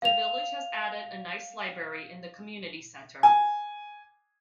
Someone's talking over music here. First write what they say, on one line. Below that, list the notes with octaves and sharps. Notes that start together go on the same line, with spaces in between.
The village has added a nice library in the community center.
F5 F7
G#5